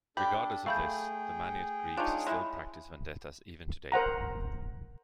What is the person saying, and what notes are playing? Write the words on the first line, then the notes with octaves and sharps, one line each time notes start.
Regardless of this, the Maniot Greeks still practice vendettas even today.
D4 G4 A4 B5
A3 G#4 F5 G5 B5 G6
D4 D#4 F4 C#5
G#3 E4
A#4 C5 F#5 A#5